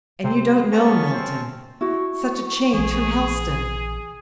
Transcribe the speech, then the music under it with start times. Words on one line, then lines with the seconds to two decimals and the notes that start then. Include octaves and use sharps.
And you don't know Milton. Such a change from Helstone!
0.24 C3 C5
0.72 B3 C#4 A5 C#6
1.11 C4
1.81 E4 F#4 C#6
2.73 A#1 E3 G#4